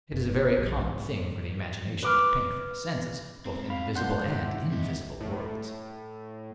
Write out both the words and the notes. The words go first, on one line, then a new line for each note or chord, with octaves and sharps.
It is a very common thing for the imagination to paint for the senses, both in the visible and invisible world.
F#1
B1 E3
G#2 E3
B4 D6 F6
G#2 C4
F5 B5
G#2 D4 F#5 C6 G6
E4 G4
C4 D4 D#5
A2